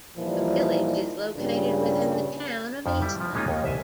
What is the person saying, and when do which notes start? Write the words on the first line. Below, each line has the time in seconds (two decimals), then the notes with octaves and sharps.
The village is located within the Town of Eastman.
0.17 A#2 E3 F3 G3 D#4
1.36 G2 A#2 C#3 G3
2.86 F2 F3
3.02 G3 E4
3.21 F3
3.35 G#3 A#3 C#4 D#4 F4
3.48 D#2
3.63 C2 E5 G#5